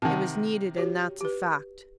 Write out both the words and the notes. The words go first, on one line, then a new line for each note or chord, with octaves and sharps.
It was needed and that's a fact.
C3 D#3 F#5 A5
F#4 G4 C#5
G4 B4